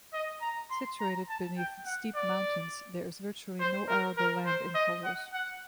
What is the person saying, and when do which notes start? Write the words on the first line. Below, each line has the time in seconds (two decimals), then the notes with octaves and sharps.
Situated beneath steep mountains, there is virtually no arable land in Poros.
0.14 D#5
0.42 A#5
0.71 C6
1.00 A#5
1.29 A5
1.58 G5
1.86 F#5
2.16 D5
3.60 C5
3.88 A#4
4.18 A#4
4.46 C5
4.75 D#5
5.04 F#5
5.33 F#5